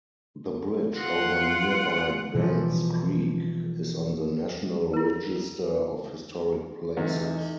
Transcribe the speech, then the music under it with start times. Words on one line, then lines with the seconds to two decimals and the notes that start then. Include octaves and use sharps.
The bridge over nearby Bens Creek is on the National Register of Historic Places.
0.97 F4 F#5
2.35 B2 E3 F3 G3
4.93 E4 A#4
6.97 E2 C3 E3 A3 D#4